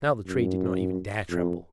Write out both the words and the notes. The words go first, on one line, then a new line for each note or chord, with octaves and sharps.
Now the Tree did not even dare tremble.
F#2
F2